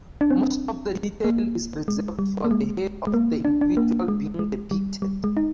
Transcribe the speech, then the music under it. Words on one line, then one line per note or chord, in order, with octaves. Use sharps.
Most of the detail is reserved for the head of the individual being depicted.
D4
C4
A#3
G#3
G3
A#3
G#3
G#3
A#3
D4
D4
A#3
G#3
G#3
G3
G3
G#3
D#4